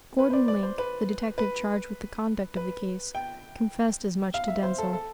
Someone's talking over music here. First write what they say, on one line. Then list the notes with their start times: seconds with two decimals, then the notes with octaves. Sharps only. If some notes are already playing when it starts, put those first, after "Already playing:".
Gordon Link, the detective charged with the conduct of the case, confessed as much to Denzil.
0.19 B4
0.30 C5
0.33 D5
0.48 D5
0.63 C5
0.78 B4
1.38 B4
2.56 B4
3.15 G5
4.34 F5
4.48 E5
4.63 C5
4.78 A4
4.93 A4